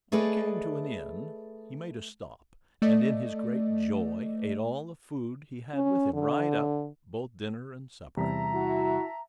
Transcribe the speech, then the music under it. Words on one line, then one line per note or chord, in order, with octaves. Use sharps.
When he came to an inn, he made a stop, and in his great joy ate all the food he had with him right up, both dinner and supper.
A3 G#4 A4 B4 D5 D#5
A3 D5 D#5
C#4
D3
E2 C3 G3 E5 A5 A#5
E4 F#4